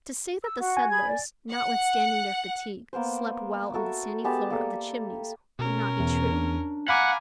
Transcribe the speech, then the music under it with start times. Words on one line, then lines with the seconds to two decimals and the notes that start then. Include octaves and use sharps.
To say that the settlers, notwithstanding their fatigue, slept well on the sandy floor of the Chimneys would not be true.
0.43 E6
0.59 F#4
0.77 G#5
0.90 G#4 B5 G#6
1.06 D5
1.50 F#5
2.93 A#3 B3 A#4 C5
3.73 F#4 A4 A#4 E5
4.24 G#3 B3 G4 A5
4.50 A#3 A4 D5
5.59 B2 C#4 A#4
6.00 E2
6.32 D4
6.88 F5 F#5 G#5 A#5 B5 D6